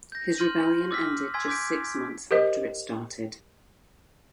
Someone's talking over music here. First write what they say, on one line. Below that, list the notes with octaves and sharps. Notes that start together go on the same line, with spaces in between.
His rebellion ended just six months after it started.
G6 A#6
C6 F6 G6 D#7 F#7
D6 E6 F6 B6
G#5 C6 E6 G#6 B6
D6 G6 B6 D7
G4 A#4 C5 D#5